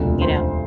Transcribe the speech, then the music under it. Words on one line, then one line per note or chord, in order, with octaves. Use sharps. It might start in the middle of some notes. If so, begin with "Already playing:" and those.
you know,
Already playing: E1 D2 C3 F3
C5 C6